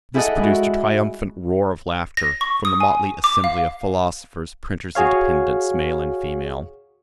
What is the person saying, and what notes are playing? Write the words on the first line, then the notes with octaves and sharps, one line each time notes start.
This produced a triumphant roar of laughter from the motley assembly of philosophers, printers, and dependents, male and female.
E4 G#4 A4 D#5 F#5
G#3 E4 F#4
A#6
C#6
D#6
G#5
D6
F5
F#4 G#4 C#5 F5